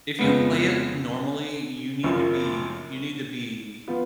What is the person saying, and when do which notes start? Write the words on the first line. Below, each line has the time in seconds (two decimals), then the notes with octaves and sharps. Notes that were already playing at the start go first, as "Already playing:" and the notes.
If you play it normally, you need to be you need to be
0.19 F2 C#3 G#3 B3
2.03 F#1 F#2 F3
3.88 F3 B3 F4